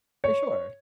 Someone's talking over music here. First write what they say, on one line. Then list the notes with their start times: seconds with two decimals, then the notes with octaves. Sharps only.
For sure.
0.24 C#5